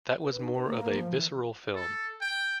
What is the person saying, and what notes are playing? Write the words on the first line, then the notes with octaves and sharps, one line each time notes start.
That was more of a visceral film.
B4
D#4
B4
A#3
F3
E3
A4
G5